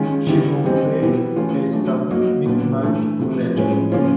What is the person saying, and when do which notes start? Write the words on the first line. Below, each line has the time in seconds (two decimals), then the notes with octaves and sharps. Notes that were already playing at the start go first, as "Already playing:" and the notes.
She wrote plays based on Mi’kmaq legends.
Already playing: D#3 G#3 C#4 F4
0.27 D#3 G3 B3 E4
0.64 E3 G3 C4 D#4
1.00 B2 G3 B3 E4
1.36 E3 A3 C#4 F4
1.73 F#3 A3 D4
2.09 F#3 A#3 D#4 F#4
2.46 A#2 F#3 B3 D4
2.82 E3 A3 D4
3.19 C3 F3 A3
3.55 A2 F3 G#3 C#4
3.92 C#3 F3 A#3 C#4 F4